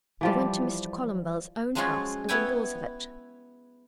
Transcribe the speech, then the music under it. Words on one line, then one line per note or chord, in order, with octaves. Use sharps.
They went to Mr. Columbell's own house, and indoors of it.
E3 F3 G3
F3 F#3 G#3 C#4 F4 F#4
B3 E4 C#5 G5 G#5